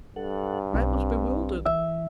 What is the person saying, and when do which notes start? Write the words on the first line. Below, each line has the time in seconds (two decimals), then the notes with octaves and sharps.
I was bewildered.
0.16 G2 A4 F#5
0.74 B1 C4
1.65 E3 E5